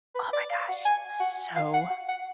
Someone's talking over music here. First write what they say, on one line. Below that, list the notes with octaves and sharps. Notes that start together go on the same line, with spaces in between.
Oh my gosh, so
B4
D5
F5
F#5
G#5
F#5
F5
F#5
F#5
F#5